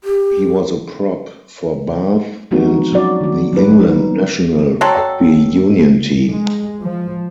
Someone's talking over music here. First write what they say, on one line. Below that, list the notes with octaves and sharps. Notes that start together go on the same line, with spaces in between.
He was a prop for Bath and the England national rugby union team.
G4
F3 G#3 B3 C4 D#4 F#4
F#3 C#4 F#4 D5
D#3 F#4
F#3 A#3 C#4 D#4 B4
F#3 G3 D#4
F#3 C4 F#4 A4
G#3
F3